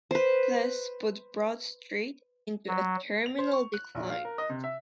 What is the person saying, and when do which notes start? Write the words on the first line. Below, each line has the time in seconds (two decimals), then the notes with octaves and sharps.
This put Broad Street into a terminal decline.
0.11 B4 C5
2.68 F#3
3.26 F7
3.38 C5
3.53 C#6
3.74 F#6
3.95 A#1
4.10 F5
4.25 A#4
4.38 D#5
4.49 C3
4.64 E5